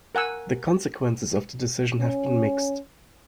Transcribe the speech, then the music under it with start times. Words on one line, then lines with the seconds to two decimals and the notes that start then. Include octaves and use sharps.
The consequences of the decision have been mixed.
0.15 A#4 F#5 G#5 E6
2.00 C#4